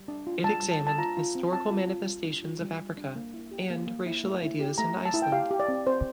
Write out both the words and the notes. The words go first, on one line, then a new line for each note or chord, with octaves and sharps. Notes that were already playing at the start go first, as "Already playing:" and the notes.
It examined historical manifestations of Africa and racial ideas in Iceland.
Already playing: G3
D4
F4
G3 A5
G3
A5
D4
A5
F4 A#5
F4
C4
C4 A5
F4
F4
G3
D4
F4
G3
G3
D4
A#3
E4
G4
A#3
A#3
E4
A3
E4
G4
A3 A#5
A3
A5
E4
G5
G4 F5
G4
D5
C4
C4 C5